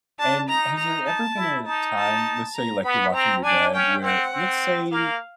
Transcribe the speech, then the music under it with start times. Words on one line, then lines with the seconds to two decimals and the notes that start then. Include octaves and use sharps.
And has there ever been a time- let's say like you're watching your dad- where let's say
0.18 D4 A5
0.48 D#4 A#5
0.77 A#5
1.07 A5
1.37 E4
1.66 D#4 A5
1.96 A5
2.55 A#5
2.84 B3 B5
3.14 C4 A#5
3.43 D4 G#5
3.74 C#4 G5
4.02 C4 F#5
4.33 C4
4.92 A#3 F5